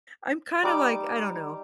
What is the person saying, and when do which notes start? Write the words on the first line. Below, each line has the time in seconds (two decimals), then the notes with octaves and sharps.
I'm kinda, like, I don't know.
0.63 G3 D#4 D6